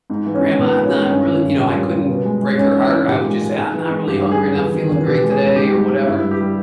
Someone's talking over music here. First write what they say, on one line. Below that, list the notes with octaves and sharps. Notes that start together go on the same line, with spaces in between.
"Grandma, I'm not really" you know, I couldn't break her heart. I would, just, say, "I'm not really hungry, I'm not feeling great today or whatever."
G#2
E3
C#4
G#2
A#2 B3
G#3
C#4
G#3
G2 C#4
D#3
G2
A#2
G3
G3
B2
G#3
G#3
G#2 C#4
E3
E4
G#2
A#2 G4
G#3
G#3
G#2 G#4
E3
G#2
G2 G4
G3
G#4
G3
E2
D#3
E2
B2 G4
G#3
G#4
G#3
G#2 G4
G3
G3
G2 E4
G3
G4
G3